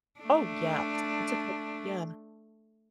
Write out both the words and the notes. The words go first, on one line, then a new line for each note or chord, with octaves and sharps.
Oh, yeah. S It's okay. Yeah.
A3 D4